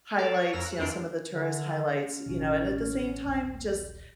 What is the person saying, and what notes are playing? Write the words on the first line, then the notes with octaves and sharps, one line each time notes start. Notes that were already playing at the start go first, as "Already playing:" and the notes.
highlights, you know, some of the tourist highlights, you know, and at the same time, just
A4 D5 F5
C#5
F2 A#4 E6 A#6
F#6
F2 E3 D4 F4 C7 D7
D3
C#4
A1 B2 D#3
D#1 A#1 A#2